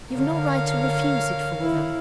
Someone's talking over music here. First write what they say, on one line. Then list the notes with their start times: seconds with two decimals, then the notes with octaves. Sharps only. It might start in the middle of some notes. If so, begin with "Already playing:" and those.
You've no right to refuse it for them.
0.12 D3 A#4 C#5 F5
1.61 E4